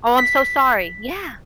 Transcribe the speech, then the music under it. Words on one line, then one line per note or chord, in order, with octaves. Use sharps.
Oh, I'm so sorry. Yeah.
B6